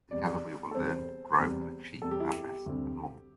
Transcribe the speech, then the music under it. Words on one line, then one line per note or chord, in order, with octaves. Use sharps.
Together, we will learn, grow and achieve our best and more.
E2 C3 G3 D5
A4
E2 C3 G3 C5
E2 C3 G3
E2 C3 G3 A4
G4
E4
G4
D2 C3 G3 C4